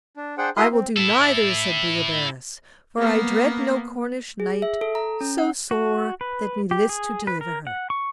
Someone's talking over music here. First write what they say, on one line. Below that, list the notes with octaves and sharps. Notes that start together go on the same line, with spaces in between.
I will do neither, said Bleoberis, for I dread no Cornish knight so sore that me list to deliver her.
D4
D4 G#4 C5 F#5 G5
E4 F#4 A#4 E5 C6 D#6
C4
E4 A4
A#3 B3
G#4
E5
A4
A#5
C#4
F#5
F#4
B4
G4
G#4
B4
A#4
F#5
C#6